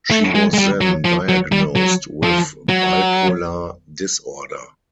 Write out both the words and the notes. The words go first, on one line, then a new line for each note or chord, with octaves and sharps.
She was then diagnosed with bipolar disorder.
A3
G#3
G#3
G3
F#3
F3
F#3
G3
F#3
F3
F#3